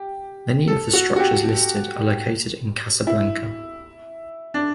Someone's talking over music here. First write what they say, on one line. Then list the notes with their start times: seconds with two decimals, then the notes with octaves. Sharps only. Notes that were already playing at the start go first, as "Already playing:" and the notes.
Many of the structures listed are located in Casablanca.
Already playing: G4
0.68 A4
0.93 F#4
1.16 F#4
1.20 G4
3.07 E4
4.54 D4